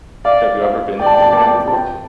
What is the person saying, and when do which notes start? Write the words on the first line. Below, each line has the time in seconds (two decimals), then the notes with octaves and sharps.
Have you ever been to Japan before?
0.25 D5 F5
0.62 F5
0.99 D5 G5
1.06 A5
1.14 G5
1.22 A5
1.30 G5
1.37 A5
1.44 G5
1.67 A5
1.73 G5